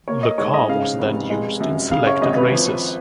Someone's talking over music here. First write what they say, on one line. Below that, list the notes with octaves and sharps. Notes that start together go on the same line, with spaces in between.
The car was then used in selected races.
A#3 C#5
D#5
G#2 C#5
D#5
C#3 F5
F1
G#3
F#2
C#3 F5
C#5
G#1 D#5
B4
F3